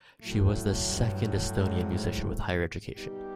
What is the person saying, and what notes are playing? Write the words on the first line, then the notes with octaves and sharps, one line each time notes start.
She was the second Estonian musician with higher education.
A2 F#3 A3
G2
G#2
G3 B3 D#4 G4